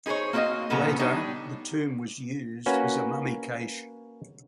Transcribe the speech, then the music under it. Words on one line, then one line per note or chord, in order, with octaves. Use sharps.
Later the tomb was used as a mummy cache.
D#4 G#4 A#4 C5 C#5
A#3 C4 F#4 C5 D#5 F5
A#2 C#3 F3 B3 A4 A#5
G3 B3 D4 D#4 G4 C#5
A#3 C#4 F#4 B4